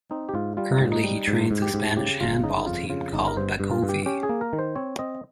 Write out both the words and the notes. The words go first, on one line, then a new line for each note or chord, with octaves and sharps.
Currently he trains a Spanish handball team called Bacovi.
C4 D#4
G4
G#2 F4
G3 F4
G#2
D#4
G3
G#2
G#2
G4
G#2
C#3 G4
G1 F4
C#3 D#4
D#4
F2 F4
C#3 F4
G1 D#4
A#4
G2 C5
G2
F4
G2
G4
C#4 G4
G#4
A#3
A#4
D#3
C5
C4 C#5
C4 D#5